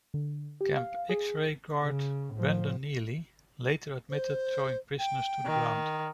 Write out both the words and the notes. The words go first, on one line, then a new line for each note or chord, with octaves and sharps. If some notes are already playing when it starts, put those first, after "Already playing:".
Camp X-Ray guard Brandon Neely later admitted throwing prisoners to the ground.
D3
G4
F5
G#4
C#3
A2 F3
C5
G5
D#3